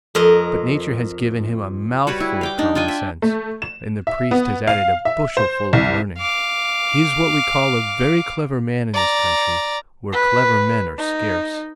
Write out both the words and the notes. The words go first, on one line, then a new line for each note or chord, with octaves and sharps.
But nature has given him a mouthful of common sense, and the priest has added a bushelful of learning; he is what we call a very clever man in this country, where clever men are scarce.
F2 A#4 D#5
G3 F#4 B4 C#5
E4
F5 G5 D6
D4 D#4
D4 F4 G5 G#5
E5
A3
E7
E5
B3
F5
E5
C5
C2
F5 D6
D5 A#5
B4
D#4